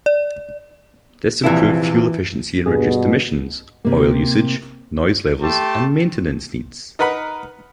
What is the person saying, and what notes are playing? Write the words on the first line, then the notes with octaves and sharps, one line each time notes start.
This improved fuel efficiency and reduced emissions, oil usage, noise levels, and maintenance needs.
D5
A#1 C3 E3 F3 E4
G2 B2 G#4
C3 A#3
A3 G4 G5 A5 C6
D#4 A#4 B4 F#5 B5